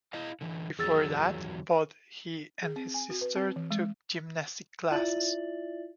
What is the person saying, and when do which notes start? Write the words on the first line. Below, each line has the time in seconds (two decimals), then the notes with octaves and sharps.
Before that, both he and his sister took gymnastics classes.
0.13 E4 D#5 F5
0.41 D3 E3
0.79 E2 D#3 F#3 G#4 E6 A6
2.63 G#4
2.76 C4
2.94 G#5
3.10 F#4
3.21 B4
3.36 C4
3.56 E3
3.71 G#3
4.90 E4 F4 D5 E5 A6 F#7